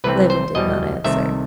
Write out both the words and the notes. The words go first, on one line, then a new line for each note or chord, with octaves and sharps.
Levin did not answer.
C2 C3 E3 A3 C4 B4
C5
E2 B2 G3 D#5
C2 C3 D#3 A3 E5